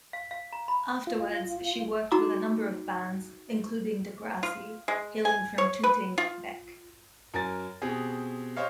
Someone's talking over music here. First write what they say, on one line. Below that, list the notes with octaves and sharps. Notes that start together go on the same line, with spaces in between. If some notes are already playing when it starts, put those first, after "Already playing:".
Afterwards, she worked with a number of bands, including Degrassi, hailing from Tooting Bec.
F5
F5
A#5
B5
F4
D#4 F#4 A#5 D6
F4
G#3
G#5
C#5
B4
F4
F#2 A#4 G#5 A6
B2 C4 G4 G#4
G4 C5 C#5 D#5 F5